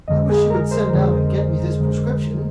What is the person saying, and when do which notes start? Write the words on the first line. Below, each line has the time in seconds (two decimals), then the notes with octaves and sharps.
"I wish you would send out and get me this prescription."
0.08 F2 D3 G#3 D#5
0.29 G#4
0.50 A#4
0.71 C5
0.93 F2 D3 G#3
1.78 F2 D3 G#3